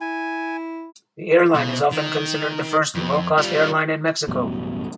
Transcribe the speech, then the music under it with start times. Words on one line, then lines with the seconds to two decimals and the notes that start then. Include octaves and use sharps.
The airline is often considered the first low-cost airline in Mexico.
0.01 E4 G#5
1.55 B2
1.92 D#3
2.95 F2
3.38 G3 F4
4.28 A1 F#2 B2 G3